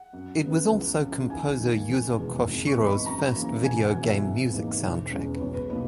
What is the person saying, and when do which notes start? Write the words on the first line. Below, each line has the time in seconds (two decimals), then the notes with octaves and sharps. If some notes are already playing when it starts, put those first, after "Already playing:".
It was also composer Yuzo Koshiro's first video game music soundtrack.
Already playing: F#5
0.13 F#2
0.44 C#3 E3 B3
0.72 C#2
1.01 C#3 E3
1.30 D#2 G#5
1.60 D#3 A#3
1.89 F#1
2.18 E2 B2 G#3
2.47 G#1
2.67 C#6
2.77 G#2 E3 B3 D#4
2.86 B5
3.06 F#2 A#5
3.36 C#3 E3 A#3 C#4
3.64 E1 G#5
3.84 F#5
3.94 E2 C#3 F#3
4.04 E5
4.22 G#1
4.53 G#2 E3 A#3 D#4
4.82 E1
5.10 E2 C#3 G#3 C#4
5.34 B4
5.39 B1 C#5
5.54 B4
5.69 B2 A#3 D#4 B4